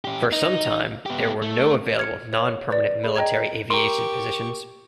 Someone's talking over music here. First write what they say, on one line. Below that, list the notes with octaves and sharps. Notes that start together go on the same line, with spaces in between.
For some time there were no available non-permanent military aviation positions.
C#4 G4
D#4
B3 G4
A3
F6 G#6 C#7
C#5
B4 D5
G#4 B5
D#5 G5 A#5 G#6
G4 A#4 A#5 C6 C#6